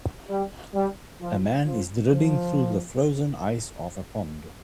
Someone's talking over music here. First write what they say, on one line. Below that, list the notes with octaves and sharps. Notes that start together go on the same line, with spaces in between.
A man is drilling through the frozen ice of a pond.
G3
G3
F3
F3
F3